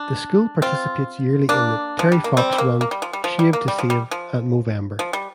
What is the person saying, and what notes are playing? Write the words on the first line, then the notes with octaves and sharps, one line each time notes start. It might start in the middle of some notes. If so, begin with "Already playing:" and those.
The school participates yearly in the Terry Fox Run, Shave to Save and Movember.
Already playing: D4
C4 F4
A#3 D4
F3
G3
A#3
G3 C4
G3
A#3
A#3
G3
F3
G3
F3
G3
A#3
G3
F3
G3
F3
F3
G3